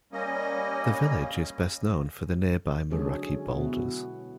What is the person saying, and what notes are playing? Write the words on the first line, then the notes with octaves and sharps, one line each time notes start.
The village is best known for the nearby Moeraki Boulders.
G3 A#3 C#4 D#5
D3 F#3 G#3 C#4 G#4 A4
B2 E4 F#4